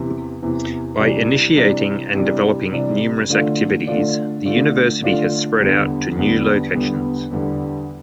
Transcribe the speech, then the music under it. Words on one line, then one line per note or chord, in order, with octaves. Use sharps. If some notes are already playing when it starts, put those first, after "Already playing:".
By initiating and developing numerous activities the University has spread out to new locations.
Already playing: E2 C3 E3
E2 C3 E3
C3 E3 G3 D4
C3 E3 G3 D4
C3 E3 G3 D4
C3 E3 G3 D4
D3 A3 D4 F4
D3 A3 D4 F4
D3 A3 D4 F4
D3 A3 D4 F4
E2 D3 G3 B3
E2 D3 G3 B3
E2 D3 G3 B3
E2 D3 G3 B3